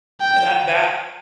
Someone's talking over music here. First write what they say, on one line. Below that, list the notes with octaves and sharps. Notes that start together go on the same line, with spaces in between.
and that that
G5